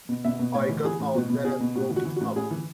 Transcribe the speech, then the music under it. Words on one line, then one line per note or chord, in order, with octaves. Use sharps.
I got out there and broke it up.
B2
B2 E5
B2
A2 C#5
E3
E3 G#4
A2
B2 F#4
B2
B2 G#4
B2
A2 F#4
E3
F#4
E3
F#4
A2
A2 G#4
E3